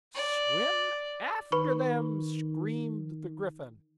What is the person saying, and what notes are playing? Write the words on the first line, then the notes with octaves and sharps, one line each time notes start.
'Swim after them!' screamed the Gryphon.
D5
D#3 B4 B5 C#6